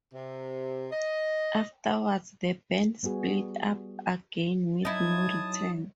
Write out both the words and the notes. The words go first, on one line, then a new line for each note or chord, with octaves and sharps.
Afterwards, the band split up again with no return.
C3
D#5
G3 B3 F#4 G#4
F#3 D#4 E4 A5 D#6 G#6